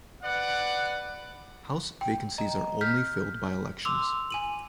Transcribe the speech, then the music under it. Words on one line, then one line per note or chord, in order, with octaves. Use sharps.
House vacancies are only filled by elections.
B4 D5 F#5
G5
D#5 A#5
F6 G6 B6
C6 D6 E6 F7
G#5 D#7 F#7